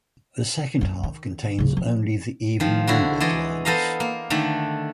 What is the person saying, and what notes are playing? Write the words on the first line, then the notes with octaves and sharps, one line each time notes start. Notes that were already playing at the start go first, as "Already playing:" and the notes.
The second half contains only the even-numbered lines.
F#2 A#3
D#3
D1 C#3
F3
D#3 F3
D3 E4 F#4
E3 G#3 D5 D#5
B3 A4 C5 D#5 F5 A#5
A#3
D3 D#3 A3 D4